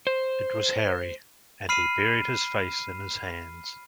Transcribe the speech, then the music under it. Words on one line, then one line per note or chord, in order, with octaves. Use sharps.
It was Harry, and he buried his face in his hands.
C5
B5 F6 C7 D#7